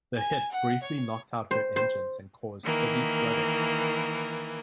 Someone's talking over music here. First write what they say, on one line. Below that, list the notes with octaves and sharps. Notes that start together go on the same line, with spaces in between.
The hit briefly knocked out her engines and caused heavy flooding.
G#5
F#5
C#5
C5
C5
D#3 E3 A#3